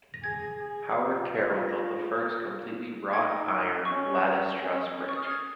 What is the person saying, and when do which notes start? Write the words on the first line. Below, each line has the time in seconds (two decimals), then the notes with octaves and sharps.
Howard Carroll built the first completely wrought-iron lattice truss bridge.
0.14 A#6
0.23 G#4 G#6
0.60 G#4
0.96 F4
1.69 A#6
3.13 D#4 G#6
3.85 C#4 C#6
4.59 C#4
4.94 C#4
5.08 C#6
5.16 D#6
5.23 F6
5.31 G#6